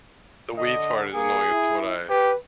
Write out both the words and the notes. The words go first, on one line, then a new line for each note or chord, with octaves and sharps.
the weeds part is annoying. It's what I
D3 D#5
A#3 G#4
E4
G4 B4